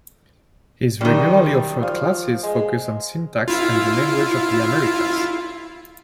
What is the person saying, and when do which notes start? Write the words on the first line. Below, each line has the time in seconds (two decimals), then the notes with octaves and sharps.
His regularly offered classes focus on syntax and the languages of the Americas.
1.01 F#2 D#3 G3
1.82 F3
2.43 G#3
3.48 E4 F4